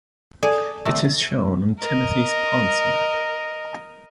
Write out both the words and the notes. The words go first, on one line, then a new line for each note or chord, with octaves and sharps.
It is shown on Timothy Pont's map.
G#4 A4 D5
C3 A3
A#4 D#5